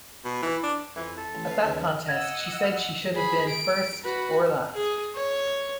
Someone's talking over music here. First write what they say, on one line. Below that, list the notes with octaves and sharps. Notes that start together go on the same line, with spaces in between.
At that contest, she said she should have been "first or last".
B2
E3
D4
F2 E3
A4
A1
B4 F5
D#2 C#3 B3
D#5 F#5 E6 G#6
G#4 B5
D7
F#4 B4
G#4
C#5